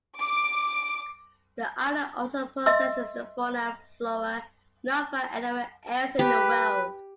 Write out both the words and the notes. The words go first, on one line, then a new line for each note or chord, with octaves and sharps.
The island also possesses fauna and flora not found anywhere else in the world.
D6
D#5 E5 C6 E6
G4 B4